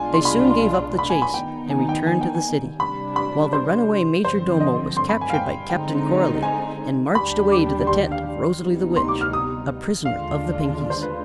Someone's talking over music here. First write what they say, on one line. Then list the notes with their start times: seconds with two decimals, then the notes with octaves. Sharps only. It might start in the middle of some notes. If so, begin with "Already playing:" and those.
They soon gave up the chase and returned to the City, while the runaway Majordomo was captured by Captain Coralie and marched away to the tent of Rosalie the Witch, a prisoner of the Pinkies.
Already playing: C2 B2 G#3 D4 F4 G#5
0.14 C6
0.25 B5
0.99 B5
1.10 G#5
1.22 B5
1.34 D#3 B3 D#4 G5
1.70 G#5
1.89 G5
2.07 G#5
2.21 G5
2.35 G#5
2.79 C3 G3 D4 B5
3.16 B5
3.53 C5
4.24 G2 D3 F3 C4 C5
4.60 D#5
4.97 C6
5.09 B5
5.21 G#5
5.30 F5
5.34 G5
5.70 D3 G#3 C4 D#4 G5
6.42 G#5
7.15 D#2 D3 G3 D4 G4 B5
7.52 D6
7.87 C6
8.12 F5
8.60 D2 C3 G3 B3 D#4
8.96 C6
9.08 D6
9.21 F6
9.33 D#6
10.05 D#2 D3 G#3 D4 F4 F5
10.90 C5
11.02 B4